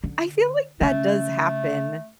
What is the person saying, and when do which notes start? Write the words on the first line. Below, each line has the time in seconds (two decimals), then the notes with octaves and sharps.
I feel like that does happen
0.04 D3
0.81 C#3 A3